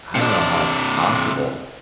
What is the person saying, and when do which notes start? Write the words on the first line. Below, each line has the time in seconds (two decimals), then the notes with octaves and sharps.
I don't know how it's possible.
0.15 C3 D4